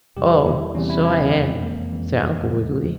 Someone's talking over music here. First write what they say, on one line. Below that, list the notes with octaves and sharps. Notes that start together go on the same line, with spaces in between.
"Oh, so I am," said Uncle Wiggily.
E2 C3 G3 G4
E4
E2 C3 G3 C#4
E4
E4
C#4
F2 E3 G#3 C4
A#3
F2 E3 G#3
E2 C#3 F3 G#3